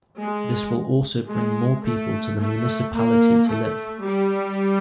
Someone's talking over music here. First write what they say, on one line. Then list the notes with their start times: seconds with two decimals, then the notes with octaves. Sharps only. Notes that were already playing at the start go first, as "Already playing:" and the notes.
This will also bring more people to the municipality to live.
0.18 G#3
1.28 G#3
1.84 A3
2.38 A3
2.94 A#3
3.49 A3
4.03 G3